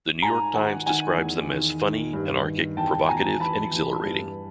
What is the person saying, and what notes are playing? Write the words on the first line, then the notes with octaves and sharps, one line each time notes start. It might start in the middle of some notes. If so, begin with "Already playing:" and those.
The New York Times describes them as funny, anarchic, provocative and exhilarating.
G#2 G#5 A#5
D#3 F#5 G#5
D#3 F#5 G#5
E2
D#3
D#3
G2
D#3
E2 G5 A5
B2 G#5 A#5
E3 A5 B5
E3
G2